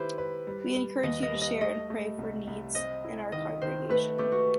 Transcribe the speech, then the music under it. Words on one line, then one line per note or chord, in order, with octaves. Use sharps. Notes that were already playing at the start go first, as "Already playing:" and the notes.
We encourage you to share and pray for needs in our congregation.
Already playing: D#3 E4 G4 B4 C5
B4
G3
G3
D#2 D#5
D#5
G3
D#5
A3 D#5
A3
C2
C2
C4 D#5
E4
D#3 D#5
D#3 C5
A3 B4
A3 G4
F#4